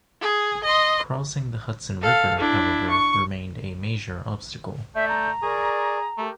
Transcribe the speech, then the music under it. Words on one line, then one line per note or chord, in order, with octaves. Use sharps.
Crossing the Hudson River, however, remained a major obstacle.
G#4
D#5 C6
A4 F5
D4 E4
C#6
A3 D5 E5 G6
A#5
G#4 A#4 D5 C#6
A3 G4 A#4